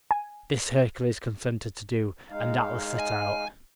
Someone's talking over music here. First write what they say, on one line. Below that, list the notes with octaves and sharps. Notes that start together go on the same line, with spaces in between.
This Hercules consented to do, and Atlas set out.
G#5
G#3 D#4 F5
G#5